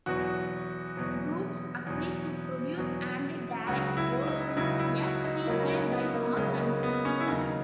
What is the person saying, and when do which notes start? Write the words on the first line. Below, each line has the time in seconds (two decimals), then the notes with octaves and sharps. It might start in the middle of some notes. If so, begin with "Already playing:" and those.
Brooks agreed to produce and direct "Old Friends", a screenplay by Mark Andrus.
0.06 E2 B2 F#3 F#4
0.97 E2 B2 F#3
1.87 E2 B2 F#3
2.77 E2 B2 F#3
3.67 C#2 C#3 F#3 F#4
3.97 E4
4.28 D#4
4.57 C#2 C#3 F#3 E4
4.79 E4
5.02 F#4
5.24 D#4
5.47 C#2 C#3 F#3 A#3
5.63 C#4
5.70 D#4
5.92 B3
6.14 A#3
6.37 C#2 C#3 F#3 G#3
6.48 G#3
6.60 A#3
6.83 B3
7.05 C#4
7.20 E4
7.27 D#2 C#3 F#3 D#4